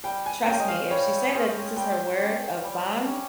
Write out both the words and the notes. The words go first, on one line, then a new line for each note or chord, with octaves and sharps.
trust me, if she say that this is her word of bond,
G3 G5
G#5
C#4 G#4 C5 G5
D#5
F5
G3 C#5
C#4 G#4 C5
G3 G5
C#4 G4 C#5
G3
C#4 G4 C#5